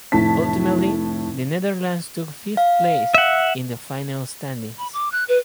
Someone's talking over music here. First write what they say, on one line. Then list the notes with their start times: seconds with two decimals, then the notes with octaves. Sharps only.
Ultimately, the Netherlands took fifth place in the final standings.
0.12 F1 A2 A5 B6
2.57 F5
3.14 E5 F#5
4.78 B5
4.93 D6
5.12 F#6
5.29 B4